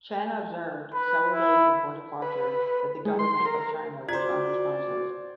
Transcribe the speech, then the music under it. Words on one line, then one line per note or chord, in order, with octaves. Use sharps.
Chen observed several days before departure that the government of China was unresponsive.
B4
E4
B4
G#3
C6
A#4
F4 F#4 C5 D5 G#6